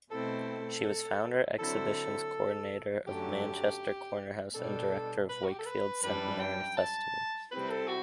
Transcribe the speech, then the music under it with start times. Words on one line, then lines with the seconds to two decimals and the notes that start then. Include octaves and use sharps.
She was founder Exhibitions Coordinator of Manchester Cornerhouse and Director of Wakefield Centenary Festival.
0.11 B2 A3 C4 E4 A4
1.59 D3 F#3 C4 E4 A4
3.06 F#2 D3 F#3 A3 G4
4.55 B2 G3 D4 A4
5.29 B4
5.44 F#4
5.51 G4
5.59 A4
5.66 B4
6.03 F#2 E3 G3 D4 B4
6.40 G5
6.77 A5
7.51 C3 G3 C4 E4 B4
7.69 A4
7.88 F#4